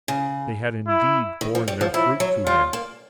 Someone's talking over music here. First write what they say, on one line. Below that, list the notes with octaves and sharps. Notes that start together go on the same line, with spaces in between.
They had indeed borne their fruit to him.
C#3
E4
D#3
F3
G3
F3
F3 E4
F#3
G3 F4
A#3